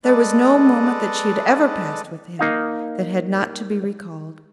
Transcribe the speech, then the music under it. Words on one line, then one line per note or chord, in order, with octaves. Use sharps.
There was no moment that she had ever passed with him that had not to be recalled.
G#3 A4 B4 D5 D#5
A#3 D#4 F5